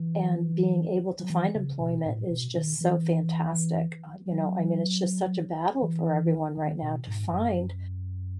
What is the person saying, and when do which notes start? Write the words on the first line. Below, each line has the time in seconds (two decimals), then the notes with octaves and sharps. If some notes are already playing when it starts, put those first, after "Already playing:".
and being able to find employment is just so fantastic, uh, you know, I mean, it's just such a battle for everyone right now to find
Already playing: E3
1.20 F#3
1.30 E3
1.55 C#3
1.80 B2
2.06 A2
2.30 B2
2.57 D#3
2.81 E3
4.32 F#3
5.82 E3
6.57 D#3
6.82 B2
7.08 G#2
7.33 F#2